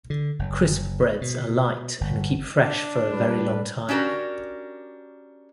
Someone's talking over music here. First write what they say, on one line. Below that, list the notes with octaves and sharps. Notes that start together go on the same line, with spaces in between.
Crispbreads are light and keep fresh for a very long time.
D3
F#1
B2
G1
D4
G3 B4
C#4 D4 F#4 G4 A#4